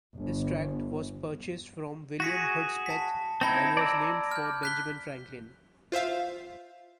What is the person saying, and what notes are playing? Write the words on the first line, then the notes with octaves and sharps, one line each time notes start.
This tract was purchased from William Hudspeth and was named for Benjamin Franklin.
G1
F#4 G#4 A#6 B6 C#7
A5 B6
C4 D#4 E4 A5 B5 G#6
D5 A#5 E6
F6 G6
F#6 B6 G7
F4 C5 E5 F5